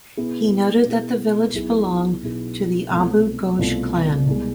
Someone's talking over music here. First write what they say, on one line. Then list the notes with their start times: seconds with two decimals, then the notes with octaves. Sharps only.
He noted that the village belonged to the Abu Ghosh clan.
0.17 B2 B3 E4 G#4
0.85 B2 B3 E4 G#4
1.53 B1 B2 B3 E4 G#4
2.23 B1 B2 B3 E4 G#4
2.91 C2 B2 A3 C4 F4
3.58 C2 B2 A3 C4 F4
4.27 C2 B2 G#3